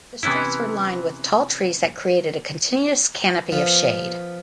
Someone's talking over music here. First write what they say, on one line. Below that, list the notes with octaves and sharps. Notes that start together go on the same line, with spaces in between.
The streets were lined with tall trees that created a continuous canopy of shade.
C3 E3 B3 C#4 E4
F3 B3 B5